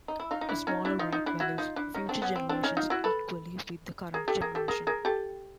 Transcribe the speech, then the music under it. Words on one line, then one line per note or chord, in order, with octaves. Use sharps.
A smaller rate values future generations equally with the current generation.
D#4
E4
D#4 F4
D#4
D4 E4
C#4 D#4
D4 E4
D#4 F4
D#4 F4
D4 E4
E4 F#4
D#4 F4
D4 E4
C#4 D#4
C4 D4
B3 C#4
C4
C4 D4
C#4 D#4
D#4 F4
E4 F#4
A4 B4
G#4 A#4
G4 A4
G#4 A#4
G4 A4
G#4 A#4
G#4 A#4
G4 A4